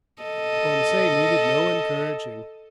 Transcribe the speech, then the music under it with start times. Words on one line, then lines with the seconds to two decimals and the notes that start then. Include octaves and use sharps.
Conseil needed no encouraging.
0.23 A4 D#5